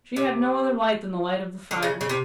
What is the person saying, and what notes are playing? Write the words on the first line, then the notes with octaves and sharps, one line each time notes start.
She had no other light than the light of the fire.
C3
D3
C#3
C#3
C3